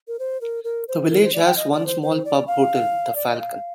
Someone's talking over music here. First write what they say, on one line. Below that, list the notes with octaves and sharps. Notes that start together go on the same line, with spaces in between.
The village has one small pub-hotel, The Falcon.
A#4
C5
A#4
A#4
C5
A#4
C5
D5
G5
D#5
D5
C5
C5
D5
F5
D5
D#5
F5